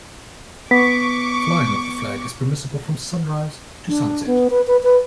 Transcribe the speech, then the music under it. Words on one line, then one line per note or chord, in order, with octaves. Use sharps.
Flying of the flag is permissible from sunrise to sunset.
B3 C#6 D6 B6
D4
B3
B4
B4
B4